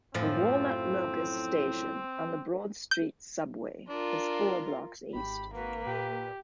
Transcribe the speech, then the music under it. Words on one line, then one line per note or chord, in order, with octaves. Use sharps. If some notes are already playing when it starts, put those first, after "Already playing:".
The Walnut-Locust station on the Broad Street Subway is four blocks east.
F#2 A2 F3 C4
G6
D4 F4 A#4
G#1 G4 B5
A#3 F#4 B4
A#2 G4